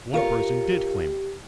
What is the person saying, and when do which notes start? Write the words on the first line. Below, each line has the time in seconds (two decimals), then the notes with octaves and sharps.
One person did claim it.
0.14 F4 G4 A#4 C#5